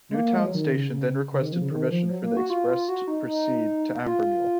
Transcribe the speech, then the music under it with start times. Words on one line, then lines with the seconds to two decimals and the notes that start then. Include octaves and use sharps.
Newtown station then requested permission for the express to proceed to Abermule.
0.10 G#3
0.14 A#3
0.25 A#3
0.35 G#3
0.44 F#3
0.54 D#3
0.73 C#3
0.93 C#3
1.32 C#3
1.42 D#3
1.52 F3
1.62 C#3
1.71 D#3
1.91 F3
2.10 F#3
2.24 A#3
2.37 F#4
2.50 F4
2.69 F4
2.88 F#4
3.08 D#4
3.27 D#4
4.06 F4